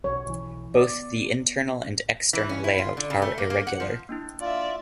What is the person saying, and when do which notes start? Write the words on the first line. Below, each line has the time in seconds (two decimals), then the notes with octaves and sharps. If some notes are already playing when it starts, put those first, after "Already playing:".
Both the internal and external layout are irregular.
0.04 B1 F#3 C#5
0.26 B1 E3
0.74 B3 D5
2.33 E3
2.49 C#4
2.64 E4
2.78 F4
2.97 D3
3.10 C#3
3.22 A3
3.38 A#3
3.50 A#3
3.67 F#5
3.80 F3
4.09 A#3 D4 E4
4.41 F4 D5 E5